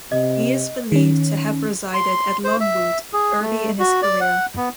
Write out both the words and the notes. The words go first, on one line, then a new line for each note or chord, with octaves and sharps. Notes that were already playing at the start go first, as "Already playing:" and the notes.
He is believed to have resided at Longwood early in his career.
C3 D#5
D#3 C#4
C6
C5
E5
G#4
A3
F#4
D5
F#5
B3